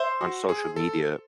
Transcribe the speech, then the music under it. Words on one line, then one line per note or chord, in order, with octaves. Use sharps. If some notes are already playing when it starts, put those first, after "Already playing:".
on social media,
Already playing: C5 E5 C6
F#4
G#4
A4